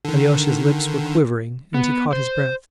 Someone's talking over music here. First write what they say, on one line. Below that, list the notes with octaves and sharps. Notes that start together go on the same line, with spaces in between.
Alyosha's lips were quivering and he caught his breath.
D3 D#3
B3
C5